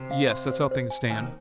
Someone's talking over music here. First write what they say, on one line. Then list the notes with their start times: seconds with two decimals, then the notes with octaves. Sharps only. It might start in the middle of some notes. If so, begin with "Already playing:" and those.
"Yes--that's how things stand."
Already playing: C3
0.11 F5
0.31 C6
0.51 C5
0.71 C5
0.90 G#5
1.10 D#2 D#3 G#5